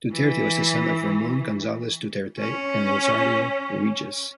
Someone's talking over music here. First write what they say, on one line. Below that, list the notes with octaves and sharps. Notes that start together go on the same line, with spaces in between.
Duterte was the son of Ramon Gonzales Duterte and Rosario Regis.
E3
C#4